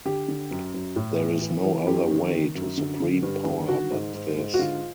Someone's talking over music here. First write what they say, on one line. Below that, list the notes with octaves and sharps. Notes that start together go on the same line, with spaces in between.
There is no other way to supreme power but this.
D3 G4
D3
F#2
F#2
A2
E3
E3
E3
F#2 G4
D#3
D#3
F#2
D3
D3
G2
D3
D#3 F#4
G#2
G#2
G#2
F#4
D3 F4